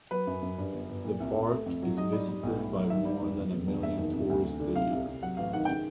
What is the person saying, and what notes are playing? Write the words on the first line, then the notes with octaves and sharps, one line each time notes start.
The Park is visited by more than a million tourists a year.
F#3 B4
F#2
F#2
G2
G1
G1
A#2
C2
C2
A3
F2
F#3
G#2 D#5
G3
G3
B1
A2
F#3
D#3 E5
G3
F1
E1
E1
E1
F#1 E5
D#3
C3
D2
D2
D3
C3 F5
C2
C3
F#3 F#5
A1 F5
D#3 F#5
C#3 G5